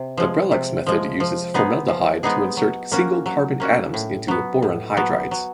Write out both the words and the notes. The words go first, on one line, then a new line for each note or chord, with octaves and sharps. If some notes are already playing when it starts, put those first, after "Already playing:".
The Brellochs method uses formaldehyde to insert single carbon atoms into boron hydrides.
Already playing: C3
F3 G#3
C3
F3 G#3
F3
G#3 B3 D#4 G#4
F3
G#3 B3 D#4 G#4
F#3
A#3 C#4 F#4
F#3
A#3 C#4 F#4
A2
F#3 B3
A2
F#3 B3
F#3